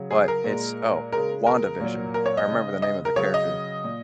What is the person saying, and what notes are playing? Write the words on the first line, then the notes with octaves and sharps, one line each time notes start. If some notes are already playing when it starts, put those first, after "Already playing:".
but it's oh, WandaVision. I remember the name of the character,
Already playing: C#3 F#3
G#4
A#4
A#2 G#3
C#3 G#3 A#4
A#4
A#2 F#3
A#4
C#5
D#5
C#3 G#3
D#5
A#4
C#3 F#3 C#5
D#5
A#2